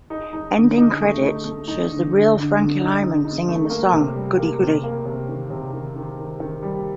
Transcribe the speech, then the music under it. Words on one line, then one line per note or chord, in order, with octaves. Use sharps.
Ending credits shows the real Frankie Lymon singing his song Goody Goody.
D#4
D#4
D3
D#4
A3
D#4
A3
D#4
D3
D3
D3
D3
D#4
D#4
D#4
A3
A#3
C3
G3
A#3
C3
A#3
C3
D#3
C3
D#3
D#3
D#3
D#3
G3